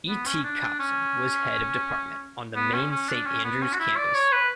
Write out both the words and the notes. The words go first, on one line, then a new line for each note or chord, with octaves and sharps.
E. T. Copson was Head of Department, on the main Saint Andrews campus.
B3
C#4
D4
C#4
B3
C#4
C#4
D4
C#4
B3
C#4
F#4
E4
D5
C#5
B4